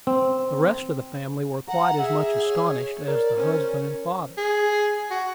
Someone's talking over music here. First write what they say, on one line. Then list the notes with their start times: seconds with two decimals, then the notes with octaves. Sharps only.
The rest of the family were quite as much astonished as the husband and father.
0.07 C4
1.68 F#5 A#5
2.01 G#4 E5
2.48 C#5
3.08 A#4 D5
3.37 C#4 C5
4.37 G#4
5.11 F#4